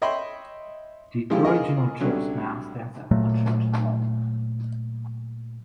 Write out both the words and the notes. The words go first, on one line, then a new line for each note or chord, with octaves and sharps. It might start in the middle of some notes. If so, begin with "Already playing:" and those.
The original church now stands as the church hall.
C#5 D#5 E5 G5 B5 C6
F3 G#3 A3 E4 F4 G4
F4 G#4 A#4 D#5
C2 D3 F#3 C#4
A#2 F#3 A3